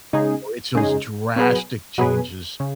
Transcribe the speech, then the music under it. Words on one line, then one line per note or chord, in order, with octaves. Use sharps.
you know, it's those drastic changes
C#3 G#3 D#4 G#4
C#3 G#3 D#4 G#4
B2 F#3 B3 G#4 B4
B2 F#3 B3 G#4 B4
C#3